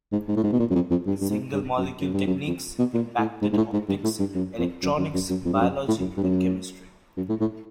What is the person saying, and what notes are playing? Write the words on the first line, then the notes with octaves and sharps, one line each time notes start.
Single-molecule techniques impacted optics, electronics, biology, and chemistry.
G#2
G#2
A2
G#2
B2
A#2
F#2
F2
F2
G2
G2
G#2
G2
F#2
F#2
G2
F#2
F2
B2
A#2
A2
G#2
G#2
A2
G#2
G2
A2
G2
F#2
F2
F#2
F#2
F#2
F#2
F2
G2
F#2
A2
F#2
G2
F#2
F#2
A2
A2